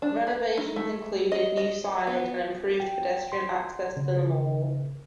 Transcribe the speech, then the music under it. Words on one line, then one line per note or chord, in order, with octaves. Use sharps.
Renovations included new signage and improved pedestrian access to the mall.
D4
B4
D#4
A3
D#5
D#5
B3
G5
C6
C#3